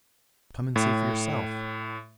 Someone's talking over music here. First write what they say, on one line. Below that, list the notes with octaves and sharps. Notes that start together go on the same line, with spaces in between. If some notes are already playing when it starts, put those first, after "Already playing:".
Come and see for yourself.'
A2